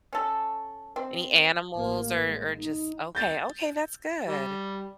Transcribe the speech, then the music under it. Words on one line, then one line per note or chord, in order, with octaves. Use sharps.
any animals? Or or just Okay, okay, that's good.
C#4 A4
C4
A1 A#3
G#3
D#4
G6 A6
G3